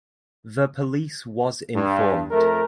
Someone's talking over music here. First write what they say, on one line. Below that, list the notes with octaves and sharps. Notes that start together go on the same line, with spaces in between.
The police was informed.
G2
F2 A3 A#4